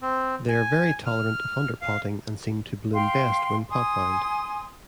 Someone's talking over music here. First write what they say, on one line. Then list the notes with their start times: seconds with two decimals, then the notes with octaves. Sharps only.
They are very tolerant of underpotting and seem to bloom best when potbound.
0.01 C4
0.49 G#5
1.06 F6
1.81 F5
2.94 F5 G5 C6
3.70 G#5 C6 D#6